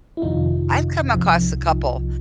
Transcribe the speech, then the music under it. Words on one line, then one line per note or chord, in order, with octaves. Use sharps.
I've come across a couple,
E4
G1 F2 C3 D#3 D#4 F4
C2 C3 F3